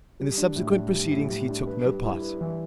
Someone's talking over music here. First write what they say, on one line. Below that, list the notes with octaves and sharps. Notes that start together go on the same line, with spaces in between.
In the subsequent proceedings he took no part.
G3
D4
A2
D4
G3
A2
G3
D4
B4
G3
E4
B4
E3